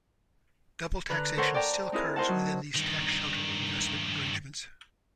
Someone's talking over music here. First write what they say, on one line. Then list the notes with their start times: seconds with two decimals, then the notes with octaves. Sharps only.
Double taxation still occurs within these tax-sheltered investment arrangements.
1.09 D3 B4 A#5 F#6
1.37 A4 A#4 C5 C#5 F#5 A#5
1.54 D5 G5 A5 A#5
1.92 C4 D#4 E4 G#4 A#4
2.16 A#4 C5 D#5 F#5 A5
2.28 F#3 D#4
2.75 G2 D#3